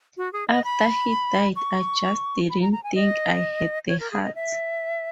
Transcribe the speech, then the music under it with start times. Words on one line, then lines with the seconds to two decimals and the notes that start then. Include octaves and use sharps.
After he died I just didn't think I had the heart.
0.17 F#4
0.33 G#4
0.48 D#5
0.64 B5
1.56 C#6
2.50 B5
2.61 A#5
2.72 A#5
2.83 G#5
2.95 D#5
3.88 C#5
4.00 A#4
4.11 G#4
4.23 D#5
4.35 E5